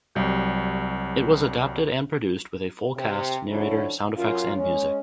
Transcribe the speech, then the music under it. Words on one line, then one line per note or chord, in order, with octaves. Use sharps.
It was adapted and produced with a full cast, narrator, sound effects and music.
C2 F#3 G3 G6
C3
D3 F3 F#3 C#4 E4
F#2 F4
G#3 C#4